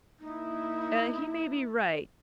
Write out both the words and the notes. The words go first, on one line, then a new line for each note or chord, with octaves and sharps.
He may be right.
A#3 D#4 E4